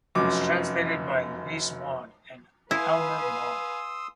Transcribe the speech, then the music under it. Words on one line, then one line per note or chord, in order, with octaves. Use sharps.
It was translated by Louise Maude and Aylmer Maude.
F1 F#2 D6
E4 B4 F5 G#5 C6 D#6 E6